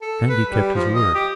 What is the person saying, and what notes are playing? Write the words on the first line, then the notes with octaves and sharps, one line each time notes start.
And he kept his word.
A4
B4
G3
F3
D#5
G4